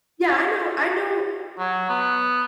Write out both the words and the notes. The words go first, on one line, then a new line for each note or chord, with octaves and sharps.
Yeah, I know I know
F#3
B3